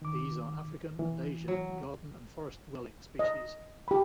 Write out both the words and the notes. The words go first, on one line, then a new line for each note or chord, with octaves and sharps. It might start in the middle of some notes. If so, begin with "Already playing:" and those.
These are African and Asian garden and forest dwelling species.
D#3 D6
E3
F#3
D#5
G4 B5